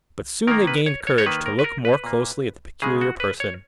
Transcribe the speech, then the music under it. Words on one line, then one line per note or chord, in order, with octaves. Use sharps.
But soon they gained courage to look more closely at the Peculiar Person.
D#3 A#3 A#4
B4
C#5
C#5
C#5
D#3 A#3 B4
A#4
B4
A#4
B4
A#2 A#3
C#3 G#3 G#4
F#4
B4
C#5